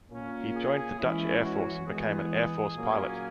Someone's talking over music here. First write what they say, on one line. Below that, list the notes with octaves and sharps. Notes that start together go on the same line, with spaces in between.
He joined the Dutch airforce and became an airforce pilot.
A#2 A#3 C#4
G#4
E3 G#3 C#4 E4
F#4
E3 G#3 B3 G#4
A#2 F#3 A#3 C#4